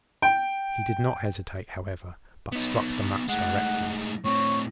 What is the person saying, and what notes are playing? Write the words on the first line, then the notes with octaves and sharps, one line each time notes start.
He did not hesitate, however, but struck the match directly.
G5
B3 D#4
A2 G#3 F#5
A2 C4 C#5